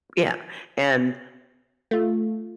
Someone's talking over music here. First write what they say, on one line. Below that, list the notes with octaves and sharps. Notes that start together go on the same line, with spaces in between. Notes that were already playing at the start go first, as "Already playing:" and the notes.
Yeah, and,
A3 F4